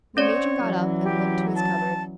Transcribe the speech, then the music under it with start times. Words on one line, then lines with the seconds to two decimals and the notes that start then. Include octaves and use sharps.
The Major got up and limped to his cupboard.
0.17 C4 C#4 C#5 D5
0.63 E3 F#3
1.04 G4
1.55 A5